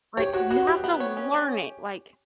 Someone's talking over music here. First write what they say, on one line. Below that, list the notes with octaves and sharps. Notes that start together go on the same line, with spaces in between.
Like, you have to learn it, like,
G4 C#5
F#4 C#5
B3 F#4
B3 G4
B3
C#5
C#4
C#4